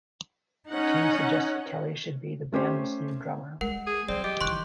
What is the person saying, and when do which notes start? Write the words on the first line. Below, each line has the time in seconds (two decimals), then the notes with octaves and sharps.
Kim suggested Kelley should be the band's new drummer.
0.69 C#4 D#4 F#5
2.52 A3 C#4 G4 C5
3.61 G#3 A#4 F#5
3.87 G#4
4.09 E3 F#3 C4 D5
4.24 G4 D#5
4.41 D#3 E3 C6 C#6 F#6